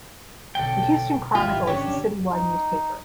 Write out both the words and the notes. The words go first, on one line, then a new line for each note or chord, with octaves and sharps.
The "Houston Chronicle" is the citywide newspaper.
B1 D3 A4 G5
G#1 E4 F4 G4
D3 C#4 D4 G4 C#5
D#4